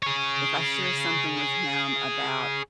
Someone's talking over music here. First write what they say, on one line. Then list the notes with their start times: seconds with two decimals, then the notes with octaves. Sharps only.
if I share something with him about
0.03 G#4 C#5